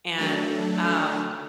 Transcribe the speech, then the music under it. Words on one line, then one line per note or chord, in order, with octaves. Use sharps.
and, um
F#3 A3 D4 A4